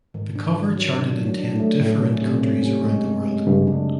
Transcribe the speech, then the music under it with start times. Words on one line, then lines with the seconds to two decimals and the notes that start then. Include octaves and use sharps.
The cover charted in ten different countries around the world.
0.14 G#2 D#3
0.35 D4
0.56 D#3
0.77 F#3
0.98 D4
1.19 F#3
1.39 D4
1.60 A3
1.81 A2 C#4
2.01 C#4
2.22 C3
2.43 C#4
2.63 C#4
2.84 G#3
3.05 G#3
3.25 G#3
3.47 G2 C#3
3.67 F#2 D4